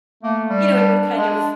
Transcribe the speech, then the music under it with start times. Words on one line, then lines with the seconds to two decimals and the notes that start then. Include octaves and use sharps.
you know, he would kind of
0.23 A3 A#3
0.50 G3
0.70 D4
1.17 G#3 D4